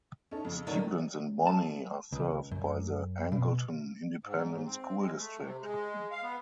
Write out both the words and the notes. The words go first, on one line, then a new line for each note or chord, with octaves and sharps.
Students in Bonney are served by the Angleton Independent School District.
C#4 D#4 A4
F2 C#3
D3 D#3 F#3
A5
C#2
F#2
B2
G#2
G#2
C4
G#3
A3
C3
G#3
F5
B3